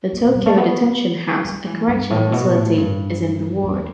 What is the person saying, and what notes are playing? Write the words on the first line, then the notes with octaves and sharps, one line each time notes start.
The Tokyo Detention House, a correctional facility, is in the ward.
B3
B2
G3
A3
B3
G3
E3
G2
A2
B2
A2
G2
E2